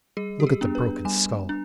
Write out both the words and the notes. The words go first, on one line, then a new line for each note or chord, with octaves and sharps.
'Look at the broken scull.
G3 G#4
G4
G#4
B3 D4
B4
G3 G#5
D4